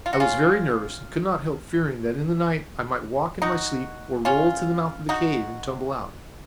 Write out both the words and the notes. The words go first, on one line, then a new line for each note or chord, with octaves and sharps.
I was very nervous and could not help fearing that in the night I might walk in my sleep or roll to the mouth of the cave and tumble out.
F4
F#4
C#4 F4
D#4 F#4
C#4 F4
D#4 F#4